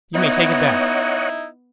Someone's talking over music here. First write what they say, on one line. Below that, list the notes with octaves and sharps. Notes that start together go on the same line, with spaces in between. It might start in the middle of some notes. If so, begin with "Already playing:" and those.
You may take it back!'
B3 D#4 E4 C#5 D#5 F#5